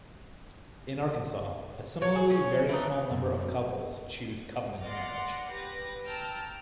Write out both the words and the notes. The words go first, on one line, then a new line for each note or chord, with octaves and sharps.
In Arkansas, a similarly very small number of couples choose covenant marriage.
F#4 C#5
G#4
C#4 C#5
E3 D4 D#4
F#2
D5 F#5 C6 F6 A6 A#6
G4 B4 A#6
G5 A5 A#5 E6 F6